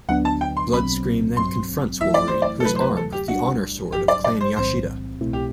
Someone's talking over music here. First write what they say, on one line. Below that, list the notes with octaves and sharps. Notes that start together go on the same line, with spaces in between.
Bloodscream then confronts Wolverine, who is armed with the honor sword of Clan Yashida.
D2 D3 F#3 B3 D4 F#5
A5
G5
C6
B1 B2 F#3 C4 B5
A1 G2 F#3 C4 C6
F#2 E3 A3 E4 E5
D5
C5
D5
A4
D2 C3 F#3 A3 B4
C5
B4
A4
G4
B1 A2 G3 D4 F#4
A1 G2 F#3 G4
D5
D5
C5
B1 A2 E3 G3 C4 C5
C2 B2 A3 C4 E4
G4